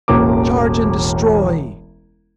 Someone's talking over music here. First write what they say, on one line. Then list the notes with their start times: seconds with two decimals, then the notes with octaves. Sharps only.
Charge and destroy!
0.08 E1 A1 A#3 D6